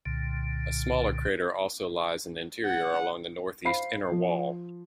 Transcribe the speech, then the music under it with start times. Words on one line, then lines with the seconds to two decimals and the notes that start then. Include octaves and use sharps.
A smaller crater also lies in the interior along the northeast inner wall.
0.06 C2 A#2 D3
2.66 F#5
3.65 C5 F5 B5 C7
4.12 F3